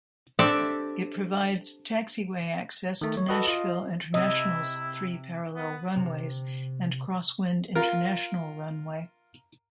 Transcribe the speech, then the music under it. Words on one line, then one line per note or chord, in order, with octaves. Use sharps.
It provides taxiway access to Nashville International's three parallel runways and crosswind international runway.
C4 D4 G4 A4 D5 E5
D#3 A3
C#5
F#4 A4 B4 D#5
F4 D#5
C3 E4 D#5
B3
C3
F4 A#4